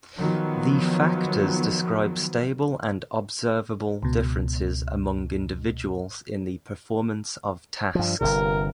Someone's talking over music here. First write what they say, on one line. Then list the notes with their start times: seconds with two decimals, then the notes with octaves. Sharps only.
The factors describe stable and observable differences among individuals in the performance of tasks.
0.19 D#3 F3 F#3 B3
4.03 C#2 B2
7.95 G2 F3
8.21 G1 G2 C3 A#4